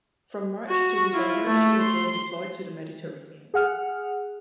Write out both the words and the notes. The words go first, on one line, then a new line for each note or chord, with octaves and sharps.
From March to December, she again deployed to the Mediterranean.
F#4
E4 F4
A3 A4
C6
G#4 F#5 F6